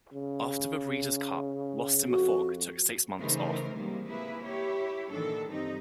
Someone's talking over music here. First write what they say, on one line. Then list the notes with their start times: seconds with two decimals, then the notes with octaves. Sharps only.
After the Breeders' Cup, Lost in the Fog took six months off.
0.13 C#3
2.08 F2 F#4
3.19 C#3 E3 A3 D#4 A#4 C5
3.75 C3 D#3 E3 G3 G#3 A#3
4.09 A#3 E4 G#4 B4
4.43 E4 G4 C#5
5.11 A#2 D#3 E3 D4 A4
5.49 G2 C4 D#4 G4